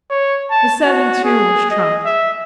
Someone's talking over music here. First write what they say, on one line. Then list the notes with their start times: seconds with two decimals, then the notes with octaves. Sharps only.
The seven too was trumped.
0.10 C#5
0.51 A5
0.84 F#4
1.24 G#4
1.71 D#5
2.05 E5